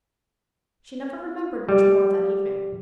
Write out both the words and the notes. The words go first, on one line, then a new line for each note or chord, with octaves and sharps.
She never remembered much more of that evening.
G3